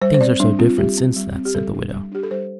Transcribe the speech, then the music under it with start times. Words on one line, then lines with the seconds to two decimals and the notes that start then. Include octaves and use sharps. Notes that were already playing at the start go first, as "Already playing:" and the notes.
"But things are so different since that," said the widow.
0.01 G3 C5
0.14 C5
0.21 C4 D5
0.40 G3 D4
0.59 C4 F4
0.78 G3 G4
0.98 C4
1.16 G3
1.36 C4
1.45 G4
1.55 G3 A4
1.74 D4
1.92 G3
2.12 D4 G4
2.23 A4
2.31 G3 C5